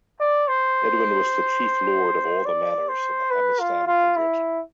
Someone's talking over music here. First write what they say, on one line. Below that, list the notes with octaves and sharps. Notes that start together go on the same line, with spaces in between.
Edwin was the chief lord of all the manors in the Hamestan Hundred.
D5
C5
D5
C5
B4
F4
F4
E4